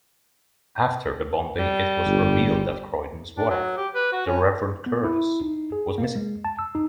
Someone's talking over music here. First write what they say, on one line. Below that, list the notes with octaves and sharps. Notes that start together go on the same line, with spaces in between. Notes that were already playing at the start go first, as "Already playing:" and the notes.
After the bombing it was revealed that Croydon's wife, the Reverend Curtis, was missing.
G3
G1
D4
F#3
G4
B4
F#4
C#4
B3
E4
D#4
G#4
A#3
G#3
A5
E6
D#4